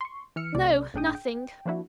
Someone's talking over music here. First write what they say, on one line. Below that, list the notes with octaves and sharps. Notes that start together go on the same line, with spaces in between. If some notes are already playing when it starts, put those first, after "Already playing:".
'No, nothing.
C6 C#6
E3 E6 F6 C#7
B1 C3 A3 D5
G1 A2 D4 G#4 G5 D#6
G5
F3 A#3 D4 E4 F#4